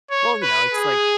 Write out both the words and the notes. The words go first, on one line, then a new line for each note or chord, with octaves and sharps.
Well, you know, it's like
C#5
B4
G#4